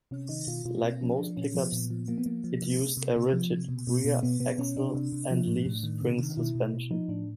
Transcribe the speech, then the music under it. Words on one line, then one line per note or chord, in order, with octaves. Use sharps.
Like most pickups, it used a rigid rear axle and leaf spring suspension.
C3 C#4
D#3 D#4
B2 F4
B2 F4
B2 C4
F3 C#4
F3 D4
A#2 C#4
F3 B3
A#2
F3
F3 A#3
B3
F3 A#3
F3
C3
C3
C3
C3
F3
C3
B2
B2
B2
B2 B3
B2 B3
B2 C#4
C3 D4
C3
C3
F3
A2
A2
D#3
C3
D#3
B2 E4
B2
B2
F3 D#4
A2 D4